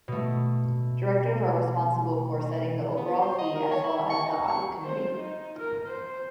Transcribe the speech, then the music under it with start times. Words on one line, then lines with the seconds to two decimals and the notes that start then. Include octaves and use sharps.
Directors are responsible for setting the overall fee as well as the audit committee.
0.08 B2 A3
2.97 B3
3.22 C5
3.38 D#5
3.55 A#4
3.71 C#5
3.84 E4
4.10 C#6
4.25 D#4
4.47 C#6
4.84 C5
5.17 D#4
5.58 A#4
5.87 C5